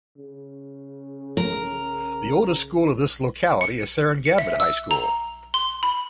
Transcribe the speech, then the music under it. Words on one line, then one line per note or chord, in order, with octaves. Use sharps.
The oldest school of this locality is Sarengabad High School.
C#3
A#4
C#7
C#7
E5
E6
A#5
C6
B5